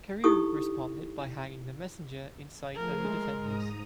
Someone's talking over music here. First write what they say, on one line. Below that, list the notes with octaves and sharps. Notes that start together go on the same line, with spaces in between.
Carew responded by hanging the messenger in sight of the defenders.
D#4 E4 G4 A4 C#6 D#6
F3 A3 G#4 A#4
G#3 C6
G#2 A#5 D#6